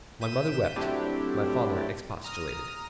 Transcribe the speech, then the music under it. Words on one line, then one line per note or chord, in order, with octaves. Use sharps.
My mother wept, my father expostulated.
G6 B6 D#7 E7
F#3 A3 C4 D4 E4 G4
A#5 D#6 F6